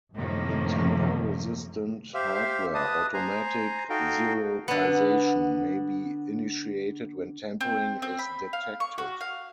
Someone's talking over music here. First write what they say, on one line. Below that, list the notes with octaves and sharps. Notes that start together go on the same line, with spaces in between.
In tamper resistant hardware, automatic zeroisation may be initiated when tampering is detected.
F#2 A2 C3 D#3 F3 A#3
G4 C5 E5 F5
B4 D#5 A5 D#6
C5 G#5 A#5
D#4 F#4 A4 F5 G5
D3 B3
C4
C4
B5
F5
C#6
F#4
F5